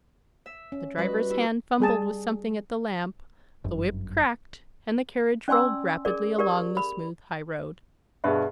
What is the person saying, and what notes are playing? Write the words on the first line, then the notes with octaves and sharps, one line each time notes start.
The driver's hand fumbled with something at the lamp, the whip cracked, and the carriage rolled rapidly along the smooth highroad.
E5
C#4
G3 F#4 B4 D#5
E4 G4
G3 G#4 A5
G1 F#2
C#4 D5 G#5 C6 E6
G#4 A#4 D5
G4 A#4 D5
B5
G2 B2 G#4 B4 E5